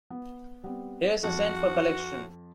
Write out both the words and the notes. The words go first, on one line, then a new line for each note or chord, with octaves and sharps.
Here’s a cent for collection.
B3
G3 B3 C4
F2 F#4 A5